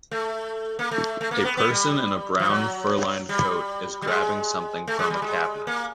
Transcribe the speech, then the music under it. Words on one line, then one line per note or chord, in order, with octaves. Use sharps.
A person in a brown, furlined coat is grabbing something from a cabinet.
A3
A#3
A3
A3
A#3
B3
B3
G3
F3
F#3
G3
G3
G#3
A3
G#3
G3
G#3
A#3